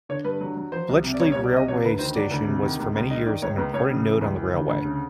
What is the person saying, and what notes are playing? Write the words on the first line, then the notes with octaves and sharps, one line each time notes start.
Bletchley railway station was for many years an important node on the railway.
D3 C#5
G2 B4
F#3
F#3
F3 C5
C2
C3
D5
C2 C#5
C#5
C2
D5
C3 D#5
F#3 C#5
D2 B4
D#3 C5
F#3 D5
D2
C3
D#3
C#2
C#2
D#3 D#5
D#3 D5
C#2 C#5
C#2 B4
C#2 C#5
C#3
E3
C#2
E3
D2
D2
C#3